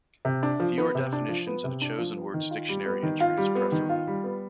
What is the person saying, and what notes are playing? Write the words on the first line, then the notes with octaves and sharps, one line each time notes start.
Fewer definitions in a chosen word's dictionary entry is preferable.
C3
D4
F3
B3
C3
D4
F3
B3
C3
D4
F3
B3
D#3
F4
G3
B3
D#3
F4
G3
B3
D#3
F4
G3
B3